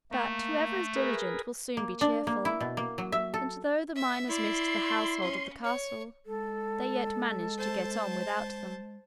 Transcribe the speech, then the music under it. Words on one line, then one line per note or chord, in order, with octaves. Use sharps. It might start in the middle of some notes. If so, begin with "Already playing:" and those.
But whoever is diligent will soon be cheerful, and though the miners missed the household of the castle, they yet managed to get on without them.
A3 A#3
G#4 A#4 B4
A#3
D4
A#3
E4
B2
A#3
F#3
E5
A4
E5
E4 D5 C6
C#4
C#5
G#3 A4
C5 A5